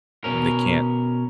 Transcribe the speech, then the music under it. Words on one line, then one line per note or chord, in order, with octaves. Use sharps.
They can't
B2 C#4 A#4